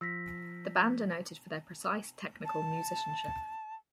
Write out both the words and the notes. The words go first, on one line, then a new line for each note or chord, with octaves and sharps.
The band are noted for their precise, technical musicianship.
F3 E6 A#6 B6
A5